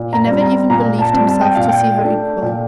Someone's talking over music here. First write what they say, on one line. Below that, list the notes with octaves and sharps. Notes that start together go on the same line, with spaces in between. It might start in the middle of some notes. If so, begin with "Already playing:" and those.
He never even believed himself to see her equal.
Already playing: A#2
A#5
G3 C4
A#5
A#2 A#5
A5
G3 C4
A5
G5
A#2 F5
G5
A3 D4
A#2